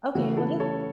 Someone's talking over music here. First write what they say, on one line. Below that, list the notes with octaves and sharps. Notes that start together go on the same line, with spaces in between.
Okay, what is it?
C#3 E3 A3 F#4
E4 A4
A4 C#5